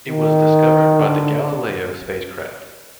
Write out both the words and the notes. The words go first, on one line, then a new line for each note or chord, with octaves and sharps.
It was discovered by the "Galileo" spacecraft.
D#3
D3